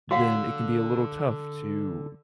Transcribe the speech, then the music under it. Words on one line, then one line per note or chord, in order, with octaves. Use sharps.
then it can be a little tough to
D3 F#4 F5 F#5